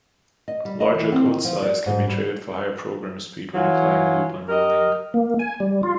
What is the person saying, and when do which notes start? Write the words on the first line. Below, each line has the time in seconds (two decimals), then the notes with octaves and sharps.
Larger code size can be traded for higher program speed when applying loop unrolling.
0.48 D#5
0.65 G3
0.80 D#5
0.94 E3
1.12 C4
1.25 D#3
1.44 F3
1.62 D5
1.86 G#2
2.07 G3
3.55 E3 F#3 F4 G#5
4.49 G4 A#4 D#5
5.14 A#3
5.39 G#5
5.60 G3
5.83 F4